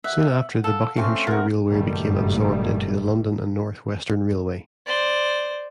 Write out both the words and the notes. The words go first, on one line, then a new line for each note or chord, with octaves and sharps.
Soon after the Buckinghamshire Railway became absorbed into the London and North Western Railway.
E5 F#5
A4 F5
A3 C4 C#4 F5
F4 F#4 A#4
F#1 G2 A#2 D#3 G3 A3
C5 D5